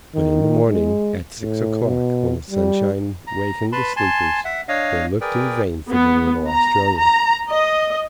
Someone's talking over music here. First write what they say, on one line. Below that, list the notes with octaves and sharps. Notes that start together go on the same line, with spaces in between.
But in the morning at six o'clock, when the sunshine wakened the sleepers, they looked in vain for the little Australian.
D#3
G#3
A2
B2
G3
A#5
B4 A5 B5 C6
G#5 A5 C6
E5 F#5
D4 C#5 D#5 F5
G#4 A#4 B4 D5 G5
B3
A#5
A#5
D#5